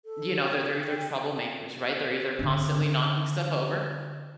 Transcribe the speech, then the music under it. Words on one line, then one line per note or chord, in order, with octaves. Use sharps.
you know, they're they're either troublemakers, right? They're either constantly knocking stuff over
A4
G5
D3 D4